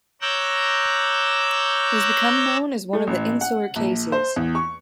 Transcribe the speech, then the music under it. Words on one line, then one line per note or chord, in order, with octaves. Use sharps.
It has become known as one of the "Insular Cases".
C#5 A#5 D6 E6 F#6 G6
A3
A1
F#5
A#1
C5
E2
C#6